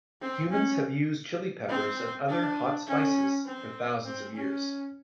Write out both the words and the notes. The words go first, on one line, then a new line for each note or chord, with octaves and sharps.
Humans have used chili peppers and other hot spices for thousands of years.
C4
C#4
C4
D4
C#4
C4
C4
C#4